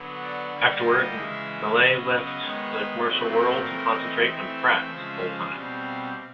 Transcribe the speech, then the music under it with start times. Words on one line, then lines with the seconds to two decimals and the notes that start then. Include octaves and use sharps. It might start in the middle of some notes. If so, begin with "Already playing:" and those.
Afterwards, Mallett left the commercial world to concentrate on Frazz full-time.
Already playing: D3 F#3 B3
0.22 D5
0.53 D3 G3 A#3
0.83 D#5
1.14 C#3 E3 G#3 E5
1.76 C#3 F#3 B3 D#5
2.38 D#3 G#3 B3 C#5
2.69 B4
3.00 A#2 F#3 A3 C4
3.31 A#4
3.62 E3 A3 C4 A#4
3.93 D#5
4.24 E3 A3 C4 E5
4.56 E5
4.86 C#3 F3 G#3
5.17 F5
5.48 B2 G3 C4
5.79 F5